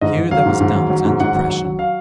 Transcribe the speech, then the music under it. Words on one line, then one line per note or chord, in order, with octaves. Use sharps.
Here there was doubt and depression.
G#2 D#5
G#2
F#3 F5
G#2
G#2
F#3
F#3
G#2
G#2 F#5
F#3
F#3
F#3
F5